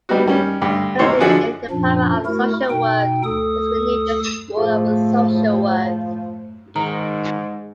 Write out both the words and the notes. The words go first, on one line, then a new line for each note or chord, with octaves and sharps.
In addition, the Department of Social Work was renamed the School of Social Work.
G3 B3 D#4 F#4
D#3 G3 C#4
D2 G2
D#2 C3 E3 C5 C#5
D3 F3 D4 E4 F#4 G#4
F#2 A#2 F3 D4
A3 E4 F#4 A#4
B2 D#4 G5
D2 A4 D#6
A2 F3 G#4 C5
G#2 D#3 A#5